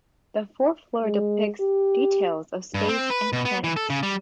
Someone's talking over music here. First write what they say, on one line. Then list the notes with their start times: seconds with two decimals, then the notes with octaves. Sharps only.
The fourth floor depicts details of space and planets.
1.04 G#3
1.60 G4
2.74 G2
2.88 C4
3.10 B4
3.33 B2
3.45 B3
3.64 E3
3.77 A4
3.90 C#3
4.03 G3